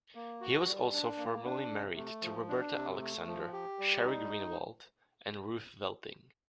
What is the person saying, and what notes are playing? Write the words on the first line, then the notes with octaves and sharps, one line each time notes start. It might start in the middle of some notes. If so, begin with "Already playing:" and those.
He was also formerly married to Roberta Alexander, Sheri Greenawald and Ruth Welting.
A#3
F#4
G3
D4
A#3
D4
C3
A3
F3
D4
C3
A3
F3
G4
G3
D#4